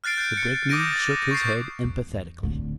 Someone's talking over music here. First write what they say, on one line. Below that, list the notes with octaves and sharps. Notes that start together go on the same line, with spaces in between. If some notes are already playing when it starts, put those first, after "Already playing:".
The Brakeman shook his head emphatically.
F6 F#6 A6 C7 D7
G6 D7
C#7
D6 D#6 G6 A#6 D7 D#7
A6
C#6 G6 C7
E2
D1 D3